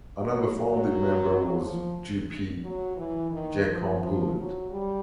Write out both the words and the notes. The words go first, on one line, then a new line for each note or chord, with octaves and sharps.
Another founding member was G. P. Jacomb-Hood.
F#3
F#3
F3
F#3
E3
D#3
F3
F3
F#3
G3